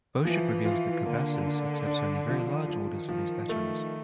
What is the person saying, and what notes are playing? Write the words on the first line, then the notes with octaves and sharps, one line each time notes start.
Boschert reveals that Cobasys accepts only very large orders for these batteries.
E3 F3
F4
D3 A#3
D4
D4
F3
D#3 F3
F3
A3